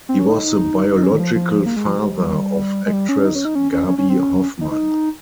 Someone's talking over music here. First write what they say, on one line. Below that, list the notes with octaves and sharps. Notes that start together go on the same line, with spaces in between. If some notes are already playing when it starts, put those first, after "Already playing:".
He was the biological father of actress Gaby Hoffmann.
C4
C#4
D#4
D#4
C#4
D#3
F3
F3
A#3
G#3
F3
G3
G#3
G3
C#4
D#4
C#4
D#4
C#4
C#4
C#4
C#4
C4
C#4
D#4
D#4